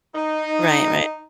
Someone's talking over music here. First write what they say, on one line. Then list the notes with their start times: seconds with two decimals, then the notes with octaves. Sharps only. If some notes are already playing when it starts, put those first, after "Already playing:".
right, right.
0.15 D#4